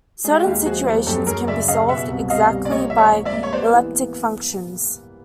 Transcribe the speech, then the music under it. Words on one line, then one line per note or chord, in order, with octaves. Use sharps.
Certain situations can be solved exactly by elliptic functions.
G#3 G#4
G4
F#4
D#2 F4 G4
F3 F#4 G#4
D#2
F#2 G4 A4
F#2 G#4 A#4
C#3 D5 E5
C#3 D#5 F5
B2 E5 F#5
C2
C2 D#5 F5
G3
D5
A#3 C#5 D#5
F3 E5
C#5 D#5
G#2
D5 E5
A#3
C#5
B3 C5 D5
E3
B3